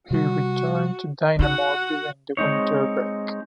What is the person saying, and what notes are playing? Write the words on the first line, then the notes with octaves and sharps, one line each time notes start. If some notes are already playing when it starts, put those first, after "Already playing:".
He returned to Dinamo during the winter break.
C3 G3 F#4
D#4 F#4 F#5
G#3 C4 D#4 C#5